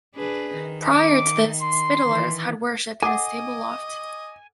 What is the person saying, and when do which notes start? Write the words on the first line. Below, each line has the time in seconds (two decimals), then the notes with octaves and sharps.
Prior to this, "Spittlers" had worshipped in a stable loft.
0.15 D4 G#4 B4
0.56 D#3
0.92 D6
1.61 C6
2.06 D#3 E3
3.03 A4 D#5 F#5 G#5 D6